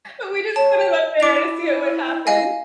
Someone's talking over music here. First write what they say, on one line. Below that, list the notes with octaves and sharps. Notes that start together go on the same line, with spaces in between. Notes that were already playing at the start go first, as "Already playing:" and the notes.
and we just put him up there to see what would happen,
C#5 A5
E4 D6 F7
D#5 F5 G#5